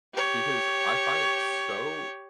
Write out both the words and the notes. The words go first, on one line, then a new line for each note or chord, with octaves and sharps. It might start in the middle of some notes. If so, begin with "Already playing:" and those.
Because I find it so
G4 C#5